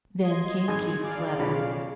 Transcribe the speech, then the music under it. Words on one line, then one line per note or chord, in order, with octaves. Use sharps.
Then came Keith's letter.
D#5 C6 G#6
G#1 G#4 G#5
D5 F5
B1 C#3 F4 B5